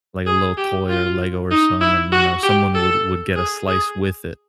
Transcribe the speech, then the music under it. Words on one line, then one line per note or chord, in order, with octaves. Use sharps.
like, a little toy or Lego or some and, you know, someone would would get a slice with it.
G#4
G4
F4
D#4
E4
F#4
G4
A4
G#4
G#4